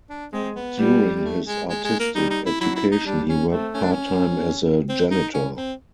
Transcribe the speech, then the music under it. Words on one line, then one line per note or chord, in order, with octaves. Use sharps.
During his artistic education, he worked part-time as a janitor.
D4
G#3 C4
B3
G3
A3
G#3
G#3
G#3
A#3
G3 D#4
D#4
E4
F#3 E4
E4
D#4
G3 D4
C#4
A3 C4
C#4
D4
C#4
C4
D#4
C#4
C4